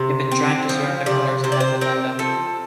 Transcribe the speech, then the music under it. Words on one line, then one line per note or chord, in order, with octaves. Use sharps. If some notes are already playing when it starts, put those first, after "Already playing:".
He had been trying to surrender the colours, not defend them.
Already playing: C3
C4
F3
C3 D5
C3 C5
D5
C5
C4 A#4
F3 A4